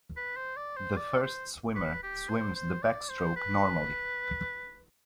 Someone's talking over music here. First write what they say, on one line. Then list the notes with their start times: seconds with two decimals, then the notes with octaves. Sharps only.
The first swimmer swims the backstroke normally.
0.16 B4
0.36 C5
0.56 D5
0.76 C5
0.97 D5
1.22 C5
1.75 B4
2.03 G4
2.29 C5
2.55 C5
2.82 D5
3.09 C5
3.36 B4